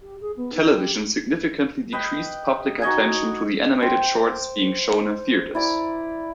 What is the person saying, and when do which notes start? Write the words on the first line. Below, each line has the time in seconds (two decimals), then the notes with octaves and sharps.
Television significantly decreased public attention to the animated shorts being shown in theatres.
0.01 G4
0.21 G#4
0.37 B3
0.54 D#4
0.71 G4
1.93 B4 D#5 G5
2.82 D#4 F#4 D#5 G#5
3.82 C5 G5
5.55 E4 D5 A#5